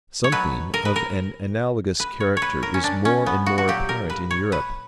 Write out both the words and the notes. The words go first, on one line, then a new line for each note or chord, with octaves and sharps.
Something of an analogous character is more and more apparent in Europe.
C#5
B2 F#3 B4
A#4
B4
A#4
B4
C#5
C#5
B4
A#4
C#4
D4
C#4
B3
F#4
F#4
A#2 F#3 G4
A#4
B4
C#5
B4